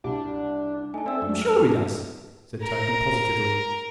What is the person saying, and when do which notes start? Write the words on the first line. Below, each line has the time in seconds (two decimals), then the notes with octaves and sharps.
"I'm sure he does," said Toby, positively.
0.04 C2 G3 D4
0.94 A3 D#4 G#5 A5
1.06 C4 A4 D5 E5 G5 E6
1.22 F#2 D4
1.41 F6
2.62 A#4 A#5